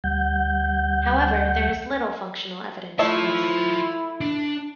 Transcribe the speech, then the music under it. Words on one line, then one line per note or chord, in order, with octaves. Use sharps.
However, there is little functional evidence for this.
D2 G3 F#5 G6
A3 E4 F4 C#5 E5 A5
D4